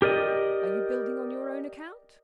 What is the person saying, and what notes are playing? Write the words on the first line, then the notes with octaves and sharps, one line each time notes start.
'Are you building on your own account?
G4 A#4 D5 D#5